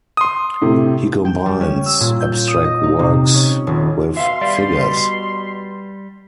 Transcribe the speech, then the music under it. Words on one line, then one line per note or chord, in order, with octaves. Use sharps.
He combines abstract works with figures.
C6 D#6
A2 C3
G5
G3
C#4
E6
A#2
G6
D#6
D#5
D#4
C3
C#4
D#1
B2 E5 F5 C6
G3 D5